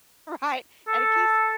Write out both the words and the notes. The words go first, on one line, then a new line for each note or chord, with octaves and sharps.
Right? And he Keith's
A4